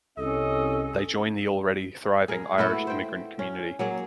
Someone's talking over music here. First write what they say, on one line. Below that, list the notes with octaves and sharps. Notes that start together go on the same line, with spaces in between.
They joined the already thriving Irish immigrant community.
C2 C#4 A4 D#5
G#4 A#4
A3 B3 E4 F#4
C5 G5
C#4
F#3 A#3 G#4